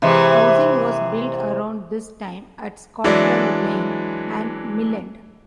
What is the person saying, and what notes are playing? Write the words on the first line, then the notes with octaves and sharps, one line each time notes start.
Housing was built around this time at Stockwell Lane and Millend.
C3 E3 G#3
E3 F#3 G#3 D4 E4 D5